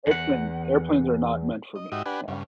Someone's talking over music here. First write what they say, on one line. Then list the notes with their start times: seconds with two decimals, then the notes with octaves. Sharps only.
airplane airplanes are not meant for me, yeah.
0.07 E2 F#5
1.76 D#5
1.92 G#2 D#4 F#4 G4 E5 D#6
2.06 D4 G4 B4 F#5 G#5
2.28 G2 C#3